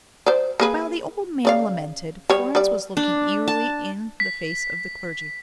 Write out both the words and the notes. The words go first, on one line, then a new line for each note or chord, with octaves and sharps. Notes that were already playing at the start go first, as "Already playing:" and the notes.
While the old man lamented, Florence was looking eagerly in the face of the clergyman.
C5 D5
A#3 G#4 B4
C#3 D5 F5
G3 C#5
G3 D5
D4
A5
B6